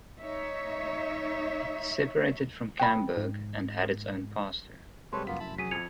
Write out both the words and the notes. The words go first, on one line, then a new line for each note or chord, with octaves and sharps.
It separated from Camberg and had its own pastor.
D#4 C#5 E5
G5 B5
G#2
C3 G3 G#3 A4 B4 C#5 C6
F1 F#2 A#3 B3 F4 B6
E4 A5 B5
F#3 G#4 B6 D#7
F2 F3 G#6 C#7 F7